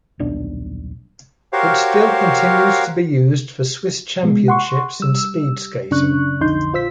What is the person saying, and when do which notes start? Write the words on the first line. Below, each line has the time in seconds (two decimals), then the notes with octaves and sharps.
It still continues to be used for Swiss Championships in speed skating.
0.19 D#1 B1 D4
1.53 F#4 G4 A#4 C5 C#5 F5
4.23 B2 G#3
4.48 F#5 C6 C#6
5.00 G3 E6
5.91 F#2 C#3 D4 C#6 F#6
6.40 B1 F2 D3 D#4 C6 G6
6.73 A#1 F4 C5 E6 B6